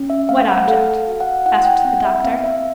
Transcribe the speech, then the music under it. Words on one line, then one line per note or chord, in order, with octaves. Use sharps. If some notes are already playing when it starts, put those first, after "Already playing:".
'What object?' asked the doctor.
Already playing: C#4
E5
A3 F5
F#5
A4 F5
F5
F#4 F5
F#5
E4 F#5
F#5
G5
C4 F#5
E5
C4 F5
E5